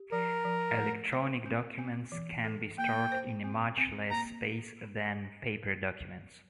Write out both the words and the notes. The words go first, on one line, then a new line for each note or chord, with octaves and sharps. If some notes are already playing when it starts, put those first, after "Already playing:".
Electronic documents can be stored in a much less space than paper documents.
Already playing: G4
F3 A#4
F3
A3
C5
C4
C4
E3
A4
A#3 G5
C5
C4
C4
A#3 A#5